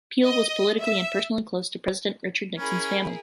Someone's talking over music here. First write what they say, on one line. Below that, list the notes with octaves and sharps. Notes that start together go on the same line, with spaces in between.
Peale was politically and personally close to President Richard Nixon's family.
D#5
E5
C#4 E4 G#4 A#4 B5